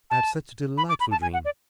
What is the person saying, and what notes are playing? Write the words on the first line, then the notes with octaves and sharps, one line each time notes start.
I had such a delightful dream.
A5
B5
D6
B5
A5
G#5
F#5
D5